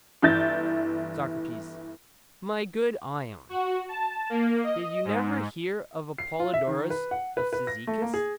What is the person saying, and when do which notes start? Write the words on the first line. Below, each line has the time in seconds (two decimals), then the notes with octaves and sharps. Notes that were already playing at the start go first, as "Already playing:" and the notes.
SOCRATES: My good Ion, did you never hear of Apollodorus of Cyzicus?
0.22 G1 E3 E5 G6 A6
3.49 F#4
3.89 A5
4.30 A#3
4.64 D#5
5.05 G#2
6.18 C7
6.40 F4
6.54 E5
6.67 D#3
6.90 B4
7.11 F#5
7.37 B4
7.53 B4
7.67 A#6
7.87 A3
8.02 A#3
8.14 G#4